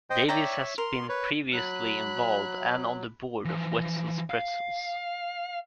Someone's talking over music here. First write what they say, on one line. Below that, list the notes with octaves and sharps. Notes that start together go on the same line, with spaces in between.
Davis has been previously involved and on the board of Wetzel's Pretzels.
C5 D#5 G5
C#5 D5 E5 G5 A#5
A#4 C6
B4 C#5
F#3 B5 F#6
E3 F3
F5